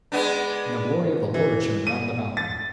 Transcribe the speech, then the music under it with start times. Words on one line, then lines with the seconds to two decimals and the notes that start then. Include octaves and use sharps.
And the glory of the Lord shone round about them!
0.12 G#3 B3 D4
1.34 E3
1.87 D#7
2.37 A6